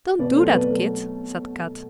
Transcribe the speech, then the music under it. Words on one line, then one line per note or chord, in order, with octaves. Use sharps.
"Don't do that, Kit," said Kat.
B2 B4 D5
F#3 A3 A4 C5
B2 B4 D5
F#3 A3